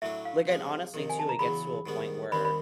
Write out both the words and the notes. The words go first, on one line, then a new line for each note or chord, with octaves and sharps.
like, and, honestly, too, it gets to a point where
A2 F#3 A3 D4 E5
F5
C3 F3 G#3 F5
F2 C3 D#3
G#5
A5
A#5
E2 C#3 F#3 B5
G#2 D#3 G3 B3
D#2 D#3 G3 C4 B5
B5